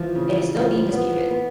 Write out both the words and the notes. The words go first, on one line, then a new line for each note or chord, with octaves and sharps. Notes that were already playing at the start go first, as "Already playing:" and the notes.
It is still being disputed.
Already playing: E3 F3
C#3
F3
B3
B3